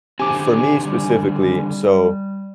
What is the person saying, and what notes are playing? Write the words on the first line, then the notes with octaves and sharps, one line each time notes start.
for me specifically, so
D3 D#3 C4 G4 G#5 A5 D6
G3